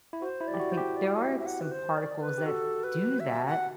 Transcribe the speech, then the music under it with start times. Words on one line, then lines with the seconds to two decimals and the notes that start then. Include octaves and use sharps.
I think there are some particles that do that.
0.13 E4
0.21 F#4 C5
0.41 E4
0.47 D5
0.54 G4
0.60 F#4
0.72 C5
0.77 G4
0.96 D5
1.17 D5
1.21 E5
1.39 E5
1.46 F#5
1.61 B4
1.71 C5
1.97 D5
2.20 B4
2.38 G4
2.46 F#4 A4
2.84 B4
3.20 E5
3.46 F#5